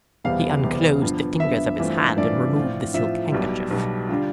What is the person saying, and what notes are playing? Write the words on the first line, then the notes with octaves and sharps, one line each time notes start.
He unclosed the fingers of his hand and removed the silk handkerchief.
E1 E2 C3 G3 B3 F5
E1 E2 C3 G3 B3
G2 D3 F3 B3
G2 D3 F3 B3 E5
G2 E3 A3 C4 F4
G2 E3 A3 C4 F4 D5
A2 F3 C4 F4
A2 F3 C4 F4 E5
B1 B2 G3
B1 B2 G3
D3 G3 D4 F4